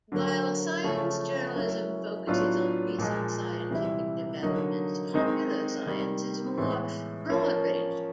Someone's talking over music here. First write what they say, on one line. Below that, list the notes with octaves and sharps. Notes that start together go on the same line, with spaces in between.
While science journalism focuses on recent scientific developments, popular science is more broad-ranging.
D3 F#3 A#3
C#3 F3 A3 C#4
F#3 A#3 C#4 E4
A2 F#3 B3 D4 F4
A#2 F3 G#3
C3 E3 G3 C4 E4
D3 F#3 A#3 D#4
D#3 G#3 C4 D#4
C3 D#3 G3
A2 E3 G#3 B3
F3 A#3 C#4